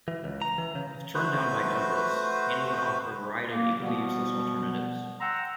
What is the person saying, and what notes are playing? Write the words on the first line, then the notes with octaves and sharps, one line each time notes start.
If turned down by Douglas, Haney would offer a variety of equally useless alternatives.
E3
C#2
A#5
E3
C#3
A3 F#4 B4 C5
A#3
B2 F3 G3 B3
F#5 G5 A#5 C6 E6